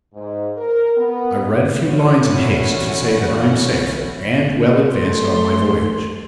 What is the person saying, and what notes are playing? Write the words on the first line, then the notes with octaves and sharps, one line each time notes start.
I write a few lines in haste to say that I am safe--and well advanced on my voyage.
G#2
A#4
B3
D3 E3 F#3 C#4 E4 F#4
A3 C6